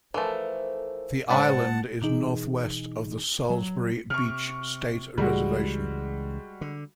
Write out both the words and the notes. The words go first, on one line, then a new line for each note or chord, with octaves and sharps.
The island is northwest of the Salisbury Beach State Reservation.
E3 F3 A3 A4 A#4 C5
A2 F#3 G#3 D4 C5 F#5 A5 B5
B2 E3 D#4 G#4
F#3
C3 C#6 F6
C#2 E3 G3 G#3 F#4
D3